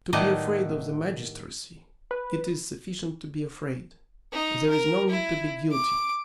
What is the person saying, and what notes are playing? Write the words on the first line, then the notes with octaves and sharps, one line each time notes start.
To be afraid of the magistracy, it is sufficient to be afraid, there is no need to be guilty.
A2 D#3 G3 A3 B3 D#5
B4
D#4
A#4
E4
D6